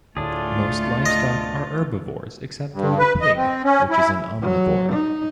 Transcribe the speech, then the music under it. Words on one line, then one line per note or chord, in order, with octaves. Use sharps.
Most livestock are herbivores, except for the pig which is an omnivore.
D2 A2 A3 D4 F4 G#4
D#5
G2
B4
D#5
C4
C#4
E4
F#3
D#4